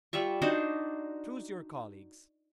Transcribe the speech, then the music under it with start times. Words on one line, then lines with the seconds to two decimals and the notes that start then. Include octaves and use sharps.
"Choose your colleagues."
0.13 G3 F4 E5 C#6
0.42 D4 D#4 F#4 C5